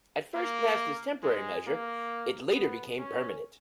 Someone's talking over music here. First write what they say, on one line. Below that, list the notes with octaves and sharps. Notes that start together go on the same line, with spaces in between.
At first passed as temporary measure, it later became permanent.
A#3
G#3
A#3
B3
C#4